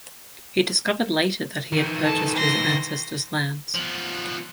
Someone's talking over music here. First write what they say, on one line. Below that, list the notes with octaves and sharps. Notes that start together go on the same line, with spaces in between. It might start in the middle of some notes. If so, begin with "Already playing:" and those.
He discovered later that he had purchased his ancestors' lands.
D#3 E3
A4 A5
C6 A#6
F3 B3